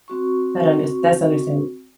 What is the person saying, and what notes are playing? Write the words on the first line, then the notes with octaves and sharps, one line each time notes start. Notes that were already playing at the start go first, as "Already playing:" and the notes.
That under that's understand
C4 F#4 C#6